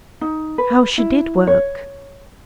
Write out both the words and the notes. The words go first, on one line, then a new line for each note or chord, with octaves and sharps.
How she did work!
D#4
B4
E4
C#5